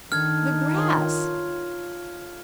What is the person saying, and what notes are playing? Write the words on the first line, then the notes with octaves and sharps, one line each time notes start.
"The grass."
D#3 D4 A4 F6 G#6
D#4 F4 C#5